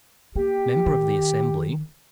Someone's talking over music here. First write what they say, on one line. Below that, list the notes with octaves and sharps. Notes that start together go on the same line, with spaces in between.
Member of the Assembly.
A#3 G4
D#3